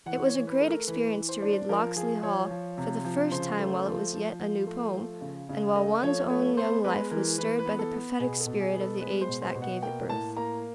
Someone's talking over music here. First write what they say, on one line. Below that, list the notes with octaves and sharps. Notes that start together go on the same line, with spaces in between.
It was a great experience to read "Locksley Hall" for the first time while it was yet a new poem, and while one's own young life was stirred by the prophetic spirit of the age that gave it birth.
E3 F#5
C#5
E3
B4
A3
A#4
E3 B4
E3
C5
D4
F3 A#4
F3 G#4
F3 C#5
F3
C3
F3
C#3 C5
A3
F3
F3
F3
A3
F3
C#3
C#3
A3 D#5
F3 C#5
A3 C#5
B3 C5
G#3 B4
E3 A#4
E3 B4
B4
B3
A4
B3
B2 G#4
A4
B2
G#4
B3
A4
G#3 B4
C5
B2
C5
B2
F#5
A#3 G5
A2 A5
A#3 A#5